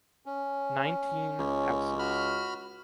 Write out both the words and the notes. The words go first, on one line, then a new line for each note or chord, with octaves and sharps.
Nineteen houses.
C#4
C#2
F#4 B5 F6